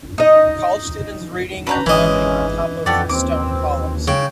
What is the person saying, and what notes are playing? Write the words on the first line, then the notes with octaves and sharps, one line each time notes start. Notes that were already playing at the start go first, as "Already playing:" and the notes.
College students reading and lounging on top of stone columns.
D#4 D#5
C#4 D4 F#4 B4 A#5 G6
G#1 E3 G#3 C#4 D#5 E5 D#6
F2 A3 G4 A4 D5 F#5
D#2 C4 D6
C#3 G5